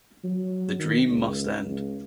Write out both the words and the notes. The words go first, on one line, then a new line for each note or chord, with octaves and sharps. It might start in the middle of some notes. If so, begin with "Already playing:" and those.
The dream must end.
F#3
D#3
C#2
C#2